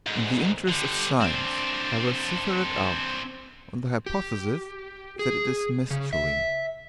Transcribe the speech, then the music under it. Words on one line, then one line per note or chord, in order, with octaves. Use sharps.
In the interest of science, I will cipher it out on the hypothesis that it is masculine.
D2 G#2
D3 G3
C4 D4
G4
G#4
C#3
E5